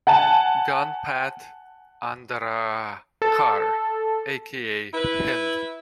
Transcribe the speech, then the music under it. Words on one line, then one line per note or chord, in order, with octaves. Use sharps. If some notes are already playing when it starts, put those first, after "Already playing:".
Gunpat Andarakar aka Hind.
F#5 G#5 A5
A4
E4 B4